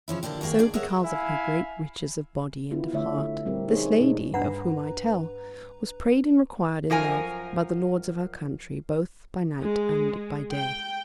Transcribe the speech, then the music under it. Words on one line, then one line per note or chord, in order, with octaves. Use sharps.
So because of her great riches of body and of heart, this lady of whom I tell, was prayed and required in love by the lords of her country, both by night and by day.
C#3 F3 C#4 E4
A#2 D3 A#3 D4 G4
D#2 F#3 A#3 G#4 G5
D4 G#4 D5
G#4 A#4 C#5 E5 F#5
E4 E5 F5 G#5
B3 E4 F4 G4
D3 A3 C#5 E5
A#2 G3 C4 G4 A#4
D4 D#4 G#4 C5 C#5
B2 D4 D#4 C5
G2 D4 B4 F#5 A#5
F#2 F3 A#4 G#5
G#3
G5